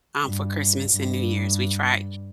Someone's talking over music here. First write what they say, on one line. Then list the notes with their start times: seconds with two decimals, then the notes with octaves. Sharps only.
um, for Christmas and New Year's, we try
0.24 G2
0.90 G2